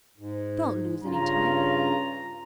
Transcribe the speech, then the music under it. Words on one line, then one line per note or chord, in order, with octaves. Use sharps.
Don't lose any time.
G#2
G2 C#3 C#4 F4 A#5